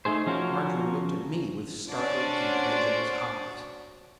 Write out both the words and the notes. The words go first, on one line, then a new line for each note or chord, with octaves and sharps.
Margery looked at me with startled, incredulous eyes.
A3 D#4 G#4 C5
F3 C#4 F#4 A#4 C5
C#4 D4 F#4 C5 D5